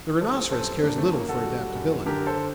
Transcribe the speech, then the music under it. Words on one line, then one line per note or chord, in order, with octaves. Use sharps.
The rhinoceros cares little for adaptability.
G3 A4 C5
F#2 A4 C5
C4
D3 A#3 D4
A3 C4
F#2 A#3
F#4 A4
G3
F#2
D3 G4 A#4
A4 C5